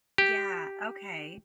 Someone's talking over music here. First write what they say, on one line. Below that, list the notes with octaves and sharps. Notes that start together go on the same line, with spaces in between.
Yeah, okay.
G4